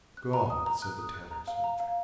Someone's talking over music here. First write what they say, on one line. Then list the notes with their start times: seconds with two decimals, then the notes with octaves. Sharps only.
"God!" said the tattered soldier.
0.17 F#6
0.33 A#5
0.50 D#6
0.66 A#5
0.82 F#6
0.99 D#6
1.14 F#6
1.31 A#5
1.48 F5
1.64 A#5
1.80 F5